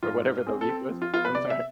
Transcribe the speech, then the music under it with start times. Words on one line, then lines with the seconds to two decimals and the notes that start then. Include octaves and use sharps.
Or whatever the leaf was. I'm sorry.
0.03 G#2 F4
0.24 G#2
0.46 C4 G#4
0.61 A4
0.69 C4
0.92 F3
1.02 F4
1.14 B3 F4
1.25 B4
1.35 C3 D5
1.50 E5